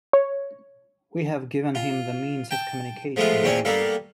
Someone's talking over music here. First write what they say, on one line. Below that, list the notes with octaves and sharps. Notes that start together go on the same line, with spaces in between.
We have given him the 'means of communication' with Them.
C#5
F4
G5 A5
F3 G#3 A3 B3 F4
E2 A#2 C4 C#4 C#5
G3 A#3 B3 A4 F5